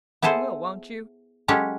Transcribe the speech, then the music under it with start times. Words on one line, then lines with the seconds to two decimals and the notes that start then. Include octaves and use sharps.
You will, won't you?
0.22 B3 E4 G#4 A4 C5
1.48 F#3 G#3 C#4 G4 A4